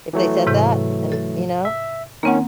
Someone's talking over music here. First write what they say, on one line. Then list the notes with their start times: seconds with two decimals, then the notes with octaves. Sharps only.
if they said that and, you know,
0.13 E3 F#3 A3
0.47 G#2 C3 G6
1.12 A4
1.65 E5
2.23 D#3 A#3 C4 C#4 F#5